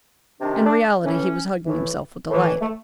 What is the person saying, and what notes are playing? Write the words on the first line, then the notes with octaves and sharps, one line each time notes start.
In reality he was hugging himself with delight.
C3 D#3 D4
C#4
D4
A2 E3 C#4
A2 E3
A2 E3
A3